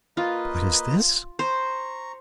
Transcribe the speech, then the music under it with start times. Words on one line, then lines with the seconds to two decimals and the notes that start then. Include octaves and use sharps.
What is this?
0.17 A#3 F4 B4 D#5
1.39 C5 A#5 C#6